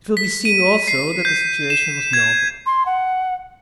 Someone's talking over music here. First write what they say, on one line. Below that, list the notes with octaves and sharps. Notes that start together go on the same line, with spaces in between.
It will be seen also that the situation was novel.
B6
D#7
C7
G6
E7
G#6
C6
F#5